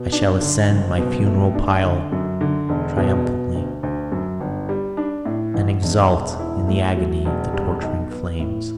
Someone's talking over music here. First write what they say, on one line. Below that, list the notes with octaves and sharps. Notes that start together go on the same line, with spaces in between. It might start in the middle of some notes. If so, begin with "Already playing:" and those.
I shall ascend my funeral pile triumphantly and exult in the agony of the torturing flames.
Already playing: B2
D4
D3
F#1
B2
A3
D4
D3
F#2
D3
E1
B2
B2
D2
D2
F#2
G1
G3
D4
A2
A1
E1
E1
E4
A3
F#3
E1
G3
B1
B3
A2